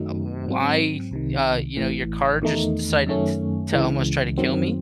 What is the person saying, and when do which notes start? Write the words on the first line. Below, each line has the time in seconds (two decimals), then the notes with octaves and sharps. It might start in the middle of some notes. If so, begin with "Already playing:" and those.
uh, why, uh, you know, your car just decided t to almost try to kill me?"
Already playing: F#2 D#3 F#3 A3 D#4
0.46 G#2 F#3 C4
1.11 C2 C3 D#3
1.77 A1 A2 E3
2.42 E2 D#3 A3 D#4
3.06 F#2 D#3 A3 C#4
3.72 C#2 C#3 E3 G#3
4.38 F#2 D#3 F#3 C4